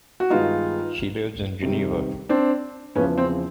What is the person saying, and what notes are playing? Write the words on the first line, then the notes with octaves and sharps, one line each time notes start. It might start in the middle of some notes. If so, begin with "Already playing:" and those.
She lives in Geneva.
F#4
G2 D#3 G#3 B3 D#4 F4
C3 D#3 G3
C4 D4
E2 C#3 F3 B3 C#4
C4